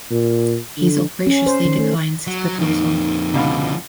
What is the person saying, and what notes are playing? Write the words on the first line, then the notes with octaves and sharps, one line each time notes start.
Hazel graciously declines his proposal.
A#2
D3
C#4
C5
D#3
A3
F#3
F2 A#3 D#4
C#2 B2 D3 F3 F5